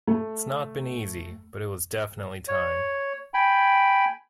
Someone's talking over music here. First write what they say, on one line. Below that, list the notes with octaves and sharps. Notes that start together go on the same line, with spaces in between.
It's not been easy but it was definitely time.
A3
C#5
G5 G#5 B5